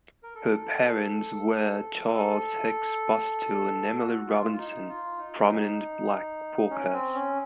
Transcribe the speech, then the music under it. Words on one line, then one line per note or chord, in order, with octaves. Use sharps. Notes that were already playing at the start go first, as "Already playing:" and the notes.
Her parents were Charles Hicks Bustill and Emily Robinson, prominent black Quakers.
A#4
A4
A4
F#4
F4
F4
D#4
F4
D#4
C#4
D#4
C#4
C4
C#4